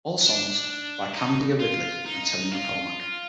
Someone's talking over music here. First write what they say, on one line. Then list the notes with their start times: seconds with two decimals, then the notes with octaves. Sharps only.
All songs by Candia Ridley and Tony McKormack.
0.21 D4
1.13 D#4
1.59 F4
2.06 D#4
2.52 F4